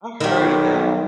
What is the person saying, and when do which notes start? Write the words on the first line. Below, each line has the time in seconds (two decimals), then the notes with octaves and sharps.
I heard of that
0.20 B1 D#3 G3